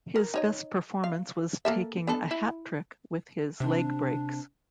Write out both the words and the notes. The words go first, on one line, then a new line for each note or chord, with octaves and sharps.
His best performance was taking a hat-trick with his leg breaks.
A#4
D#4 C#5 D#5
F5
A#3 A4 E5
B3 D4 A4
E4
C3 D4